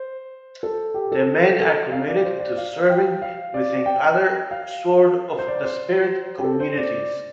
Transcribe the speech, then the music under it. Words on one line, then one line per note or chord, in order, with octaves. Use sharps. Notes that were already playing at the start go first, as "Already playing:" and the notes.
The men are committed to serving within other Sword of the Spirit communities.
Already playing: C5
A4
G4
A4
A4
F5
D5
C5
D5
F5
G5
F5
D5
G5
F5
C5
D5
C5
G4
A4
C5
D5